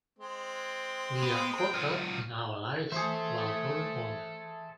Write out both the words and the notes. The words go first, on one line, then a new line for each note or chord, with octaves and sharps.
We are caught up in our lives while growing older.
G#3 C4
B3
G5
F#3 F4
E3 G#4 A4 C5 E5